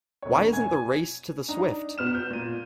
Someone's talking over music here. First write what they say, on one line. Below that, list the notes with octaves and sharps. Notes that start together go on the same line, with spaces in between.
Why isn't the race to the swift?
E1 C#5
G#5 G#6
D4 D#4 A#5
B2 B3 F6 E7
G6
A#2 D#7